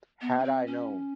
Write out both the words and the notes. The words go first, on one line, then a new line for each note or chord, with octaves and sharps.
Had I known!
B3
C#4
C4
C#4